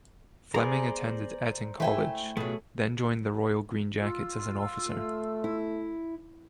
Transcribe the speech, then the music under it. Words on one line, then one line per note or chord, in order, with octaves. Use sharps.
Fleming attended Eton College, then joined the Royal Green Jackets as an officer.
B3 G#4 C5 D5 G#5 A#5
A3 E4 G5 G#5
B2 F3 F#3 A3 G#4
F4 E6
A3
E4